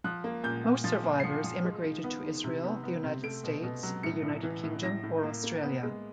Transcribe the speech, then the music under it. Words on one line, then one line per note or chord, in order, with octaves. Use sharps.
Most survivors immigrated to Israel, the United States, the United Kingdom or Australia.
F3 F#6
A#3
A#2 G6
A#2
F3 A6
A#2
C7
F3 C#7
F3
G#3
D#3
B3
D#3
C3
B3
B3
C3
A3 D7
B2
B2
F#3
A2 C#7
A2
E3
A2
A2 A#6
A2
A#3
A#3
B3
G#3